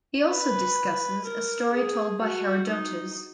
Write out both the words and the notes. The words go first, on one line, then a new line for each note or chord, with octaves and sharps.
He also discusses a story told by Herodotus.
B4
A#4
G#4
F#4
D#4